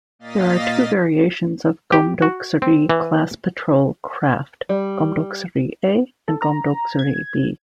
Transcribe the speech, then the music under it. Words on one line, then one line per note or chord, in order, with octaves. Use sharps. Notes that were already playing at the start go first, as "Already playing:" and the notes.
There are two variations of "Geomdoksuri" class patrol craft: "Geomdoksuri"-A and "Geomdoksuri"-B.
A#2 A#3 D#5 F5 A6 B6
G4
F#4
C4
E3
G3
A4
A#5
G#6